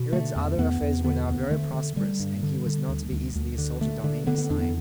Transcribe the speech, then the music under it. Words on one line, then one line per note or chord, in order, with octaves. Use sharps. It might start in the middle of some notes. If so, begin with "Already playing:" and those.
Herod's other affairs were now very prosperous, and he was not to be easily assaulted on any side.
Already playing: B2
D3 A3
E2
E2 B3
E2
D3 B3
D2
D3 A3
D3
D3 G3
G2
D3
D3
D2
D2
D2
D3
D3 A3
D3
D3 B3
B3
E2 D4
B3